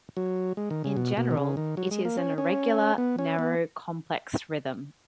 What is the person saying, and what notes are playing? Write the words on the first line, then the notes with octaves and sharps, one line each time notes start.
In general, it is an irregular, narrow complex rhythm.
F#3
G#3
D#3
C#3
B2
B2
D#3
C#3
D#3
F#3
G#3
A#3
C#4
C#4
B3
C#4
B3